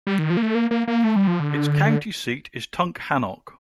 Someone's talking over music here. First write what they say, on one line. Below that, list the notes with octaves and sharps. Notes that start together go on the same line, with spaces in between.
Its county seat is Tunkhannock.
G3
D#3
F3
A#3
A3
A#3
A#3
A#3
A3
G3
F3
D3